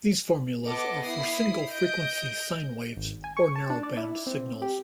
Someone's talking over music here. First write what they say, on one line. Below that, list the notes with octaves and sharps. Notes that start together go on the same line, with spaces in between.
These formulas are for single-frequency sine waves or narrowband signals.
B3 A4 D#5 D6
E4 D#6 C7
D#5 G6 D7
G#1
G#5
C#6
A5
D4
D5
E4
C4
G4